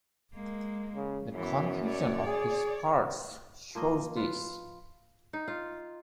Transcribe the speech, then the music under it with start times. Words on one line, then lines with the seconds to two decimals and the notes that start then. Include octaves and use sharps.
The confusion of its parts shows this.
0.34 G#3 A#3
0.96 C#3
1.34 F#2 E3 B3
1.85 C#5 D5
2.26 G#4
3.75 F3 A#3 D#5
4.16 F4 B4
5.33 D#4
5.48 F4